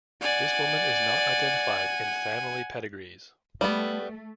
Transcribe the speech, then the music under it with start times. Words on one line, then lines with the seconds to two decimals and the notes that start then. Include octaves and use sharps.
This woman is not identified in family pedigrees.
0.22 D5 F#5 G#5
3.61 G3 A3 B3